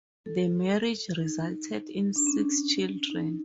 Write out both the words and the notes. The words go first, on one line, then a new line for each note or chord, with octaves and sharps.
The marriage resulted in six children.
A4
D#4
D4
C#4
D4
D#4